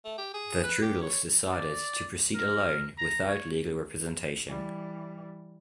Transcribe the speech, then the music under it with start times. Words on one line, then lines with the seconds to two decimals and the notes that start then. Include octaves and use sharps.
The Trudels decided to proceed alone, without legal representation.
0.05 A3
0.18 G4
0.34 G#4
0.63 B4
0.82 G4
1.02 C#5
1.53 D5
2.35 A#4
2.98 A#5
3.28 C#5
4.47 E3 G3